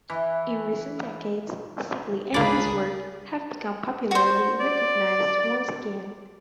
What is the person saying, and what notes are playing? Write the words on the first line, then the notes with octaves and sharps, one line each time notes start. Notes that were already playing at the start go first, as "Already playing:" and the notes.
In recent decades, Stickley and his work have become popularly recognized once again.
E3
C#2 A#3 D4 G#4 B4 D5 B5
F#4 C5
D5